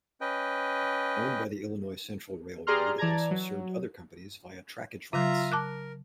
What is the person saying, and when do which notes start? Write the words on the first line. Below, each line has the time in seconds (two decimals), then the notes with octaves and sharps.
Owned by the Illinois Central Railroad, it also served other companies via trackage rights.
0.21 C#4 B4 D#5 G5
2.67 G4 G#4 D5 A#5 C6 F6
2.98 E3 D5 A5 A#5 G#6
3.31 F#3
5.13 C#3 F#3 F4 E5 A#5
5.52 A#4 A5 D6 F#6